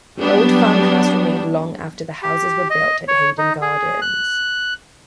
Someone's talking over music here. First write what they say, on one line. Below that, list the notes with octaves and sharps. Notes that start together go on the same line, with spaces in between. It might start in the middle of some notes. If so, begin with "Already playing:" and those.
The old farmhouse remained long after the houses were built at Haydon Gardens.
F#3 G3 B3 D4
G4
D#5
C#5
D#4
G#4
F#6